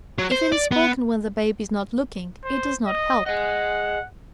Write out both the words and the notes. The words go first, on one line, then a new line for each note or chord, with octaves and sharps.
If it is spoken when the baby is not looking, it does not help.
F#3
C5
D5
B3
C5
D#5
G#4 D#5 F#5